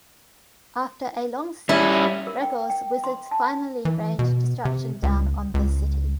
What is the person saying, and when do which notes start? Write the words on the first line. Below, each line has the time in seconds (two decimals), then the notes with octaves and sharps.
After a long siege, Breggor's wizards finally rained destruction down on the city.
1.69 G3 C#4 E4
2.27 A#4
2.42 G5
2.70 G5
3.04 C6
3.31 A5
3.85 E3
4.19 B2
4.65 C3
5.03 C#2
5.54 C#2